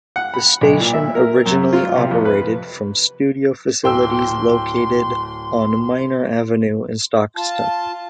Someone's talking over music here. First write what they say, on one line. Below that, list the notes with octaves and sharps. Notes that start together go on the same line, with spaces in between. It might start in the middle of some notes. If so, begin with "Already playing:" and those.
The station originally operated from studio facilities located on Miner Avenue in Stockton.
F#5
B5
B1
A#2
E5
A#4
F#2
F4
C3
F2
B4
D1 G5 C6 E6
F4 A5